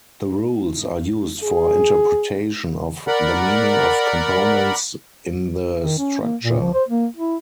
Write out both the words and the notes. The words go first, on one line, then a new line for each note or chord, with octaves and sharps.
The rules are used for interpretation of the meaning of components in the structure.
G#4
A#4 D5 F#5 B5
D#3
C#4
A#3
A#2
F3
C5
A#3
E4